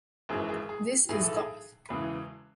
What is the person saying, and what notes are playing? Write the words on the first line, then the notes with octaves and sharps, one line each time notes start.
This Is Goth!
G#1 F#2 E3 G#4
G#4
G#4
B1 A2 E3 G#4
A4
G#4
E1 E2 C#3 E3 B4